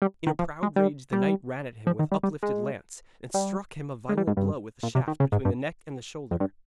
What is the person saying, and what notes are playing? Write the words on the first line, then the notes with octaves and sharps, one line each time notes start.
In a proud rage the knight ran at him with uplifted lance, and struck him a violent blow with the shaft between the neck and the shoulder.
G3
D#3
F3
G#3
G3
G3
F3
D#3
G3
G3
G#3
G3
G#3
G3
G#2
G2
A#2
C3
D#3
C#3
G#2
G2
F2
G2